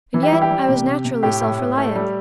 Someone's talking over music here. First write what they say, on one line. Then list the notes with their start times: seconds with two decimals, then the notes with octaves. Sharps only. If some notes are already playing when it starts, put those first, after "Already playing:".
And yet I was naturally self-reliant.
0.14 E3
0.23 G4
0.32 G3 E4
0.41 G4
0.50 G3
0.69 C3
0.86 C3
1.05 C3
1.23 A2 G4
1.41 A2
1.59 A2
1.77 A3
1.96 G3